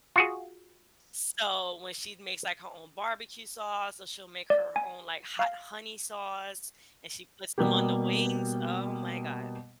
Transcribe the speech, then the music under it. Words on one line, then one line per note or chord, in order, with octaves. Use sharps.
So, when she makes, like, her own barbecue sauce, so she'll make her own, like, hot honey sauce and she puts them on the wings, oh my god,
F4 F#4 G#4
D5
G#5
F5
B2 G3 A#3 B3 G4